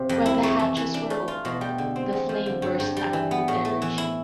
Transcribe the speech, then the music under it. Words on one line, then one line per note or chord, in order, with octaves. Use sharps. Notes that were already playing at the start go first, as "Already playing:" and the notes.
When the hatches were opened, the flame burst out with energy.
Already playing: C3 F3
F2
E4
A3
E3
E3
D4
A3
F4
B2
G3
D3
C4
E2
F3
D3
G2
G2
G3
E3
B3
A2
A3
E3
E4